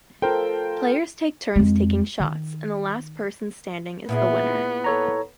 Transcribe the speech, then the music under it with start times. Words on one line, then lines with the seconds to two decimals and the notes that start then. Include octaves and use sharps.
Players take turns taking shots, and the last person standing is the winner.
0.22 F4 A4 A#4 C5 G5
1.56 F2 G#3
2.20 D#3
4.09 A#2 B3 E4 G#4
4.84 A4 C#5 A#5